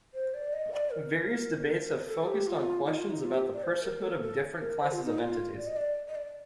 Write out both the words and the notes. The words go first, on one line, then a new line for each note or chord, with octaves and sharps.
Various debates have focused on questions about the personhood of different classes of entities.
C5
D5
D#5
D5
A#4
A4
G4
F4
D#4
F4
D#4
F4
G4
D5
C5
A#4
A4
A4
A#4
C5
F4
D#4
F4
D5
D#5
D5
D#5
D5